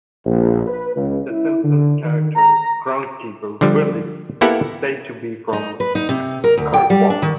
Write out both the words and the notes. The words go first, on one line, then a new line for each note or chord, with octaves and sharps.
"The Simpsons" character Groundskeeper Willie is said to be from Kirkwall.
A#1
B4
C#2
E4
D3
D#3
A#5
D3 F3 G3
A#3 B3 E4 G4 A4 F#5
D#4
B4
D#4
C3
A#4
D2
G5
G3
D4
D#3